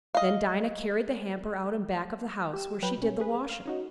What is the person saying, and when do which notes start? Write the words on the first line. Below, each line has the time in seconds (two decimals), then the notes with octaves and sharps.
Then Dinah carried the hamper out in back of the house where she did the washing.
0.15 D#5 F5
2.53 G4 E7
2.82 F#3 B4 G5
2.98 B2 C#4
3.20 G#4 B4
3.49 F5
3.66 C#4 D#4 F#4